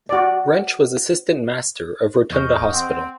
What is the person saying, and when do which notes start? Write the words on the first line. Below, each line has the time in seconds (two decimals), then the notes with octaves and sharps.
Wrench was Assistant Master of Rotunda Hospital.
0.09 F#4 D5
2.30 E2 G#4 D#5 C#6 F6 G6
2.72 C4 F#5